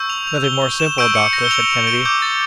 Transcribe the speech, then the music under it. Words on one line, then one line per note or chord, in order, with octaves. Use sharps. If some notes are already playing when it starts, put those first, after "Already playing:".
"Nothing more simple, doctor," said Kennedy.
Already playing: C#6 E6 G6
F7
F7
G7
G7
E7
C#6 E6 G6 D7
C#7
A#6
G7
F7
D7
D6 G6
A6